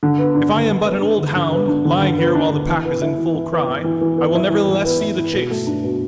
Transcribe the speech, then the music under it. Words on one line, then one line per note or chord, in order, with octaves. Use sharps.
If I am but an old hound, lying here while the pack is in full cry, I will nevertheless see the chase!
D3
B3
D4
D3
D3
B3
D4
D3
D3
B3
D4
D3
D3
B3
D4
D3
E3
B3
E4
E3
E3
B3
E4
E3
E3
B3
E4
E3
E3
B3
E4
E3
B2
A3
D4
B2